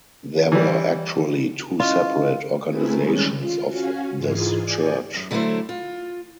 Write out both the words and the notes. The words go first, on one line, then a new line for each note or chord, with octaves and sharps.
There were actually two separate organizations of this church.
E3 G3
C#4 E4 F4 D#5
A3 C4 E4 G#4 A#4 B4
D#3 G3 G#3 C#4
F4
C#4 F#4 F5 G#5
G#2 E3 F4 G#4
D5 G#5 G6
F#2
D3 F#3 A3 B3 E4 C5
F4